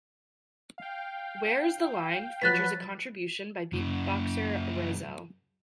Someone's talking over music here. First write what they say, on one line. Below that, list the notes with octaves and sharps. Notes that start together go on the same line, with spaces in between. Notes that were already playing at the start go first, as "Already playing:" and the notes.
"Where Is the Line" features a contribution by beatboxer Rahzel.
F5 G5
F3 F#3 B4 F#6 A6 B6
F#2 C#3